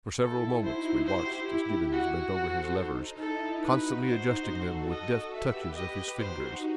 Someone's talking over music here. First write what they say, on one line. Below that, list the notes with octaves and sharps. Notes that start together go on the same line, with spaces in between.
For several moments we watched as Gibbons bent over his levers, constantly adjusting them with deft touches of his fingers.
E4 A4
D#4 F#4 C5
E4 G4 C5
E4
F#4
A4 C5
D#4
E4 A4
D#4 F#4 B4
D#4 F#4 C5
F#4 A4
F#4 A4 D#5
G4 B4 E5
D#5
D#4 F#4 C5